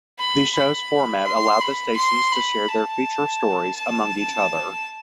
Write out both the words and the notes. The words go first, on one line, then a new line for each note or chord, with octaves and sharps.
The show's format allowed the stations to share their feature stories among each other.
B5
B5
C6
B5
C6
B5
A5
A5